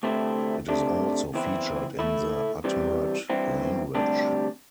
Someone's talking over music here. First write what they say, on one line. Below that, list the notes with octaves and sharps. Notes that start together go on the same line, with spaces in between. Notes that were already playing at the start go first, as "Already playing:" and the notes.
It is also featured in the Udmurt language.
D2 C3 A3 C4 E4
C3 A3 D4
E2 E3 C4 E4
A2 A3 E4
C3 E3 G3
G2 E3 C4 E4
D2 C3 G3 D4